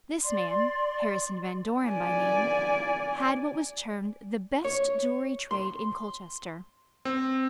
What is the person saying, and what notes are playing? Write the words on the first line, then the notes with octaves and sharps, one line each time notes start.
This man--Harrison Van Doren by name--had what was termed the best jewelry trade in Colchester.
D5 C6
D5 G#5
C#5
C6
C4